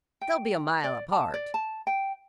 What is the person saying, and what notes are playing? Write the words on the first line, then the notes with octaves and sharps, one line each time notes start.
They'll be a mile apart.
G5
D5
A5
D5
A5
G5